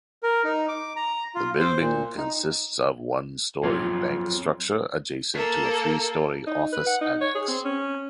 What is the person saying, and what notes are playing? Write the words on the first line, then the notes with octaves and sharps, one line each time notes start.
The building consists of a one-story bank structure adjacent to a three-story office annex.
A#4
D#4
D6
A#5
F4
C5
A#2
D#4
F#3 C4 F4 C#5
A#3 A4
D#4
B4
F#5
D#4
C#5
G#4
C4
C#4